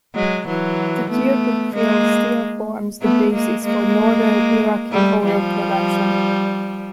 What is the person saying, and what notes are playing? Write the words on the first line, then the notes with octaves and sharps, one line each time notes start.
The Kirkuk field still forms the basis for northern Iraqi oil production.
F#3 G#3
E3 F#3
A3 B3
G#3 A#3
A3 B3
G#3 A#3
G#3 A#3
G3 A3
F3 G3